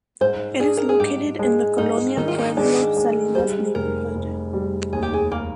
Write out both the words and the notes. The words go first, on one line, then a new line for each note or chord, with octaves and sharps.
It is located in the "Colonia Pueblo Salinas" neighborhood.
G#2 C5
D4 G#4
A#4
G#4
G#2 G4
G#3
G#2 D#4
D#3 D#4
F4
D#4
G#3 D4
G#3
G3 C5
F1 A#4
F1
G3
D#2 G#4
G4
G#4
A#3